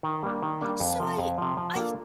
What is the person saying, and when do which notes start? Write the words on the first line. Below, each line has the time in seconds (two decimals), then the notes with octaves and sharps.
so, I I
0.03 D#3
0.23 G3 A#3 D4
0.42 D#3
0.61 G3 A#3 D4
0.80 F2
1.00 C3 F3
1.18 F2
1.38 C3 F3
1.57 F3
1.75 A#3 D4 F4 A4